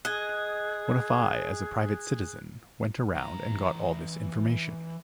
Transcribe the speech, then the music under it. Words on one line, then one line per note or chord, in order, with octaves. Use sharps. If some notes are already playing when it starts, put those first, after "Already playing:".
What if I as a private citizen went around and got all this information?
G#4 D#5 F#6 G#6
E3 A#5